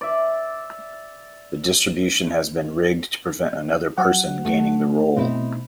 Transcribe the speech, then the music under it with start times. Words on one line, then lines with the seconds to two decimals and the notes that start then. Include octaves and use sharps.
The distribution has been rigged to prevent another person gaining the role.
0.01 D5 E5
3.98 F#3 F#5
4.45 A3
5.16 B2 C4 D#4 E4